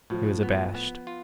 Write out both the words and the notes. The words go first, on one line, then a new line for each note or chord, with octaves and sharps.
He was abashed.
A2 F3
B3
B3
F4